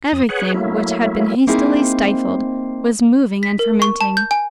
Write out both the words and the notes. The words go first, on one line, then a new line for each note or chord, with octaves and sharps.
Everything which had been hastily stifled was moving and fermenting.
F2 D#6
G#4 B4 C#5 F#5
F#3 A3 A#3 E4
A#3 C4 D#4 E4 G#4
B6
A#4
C#6
A5
G6
G#5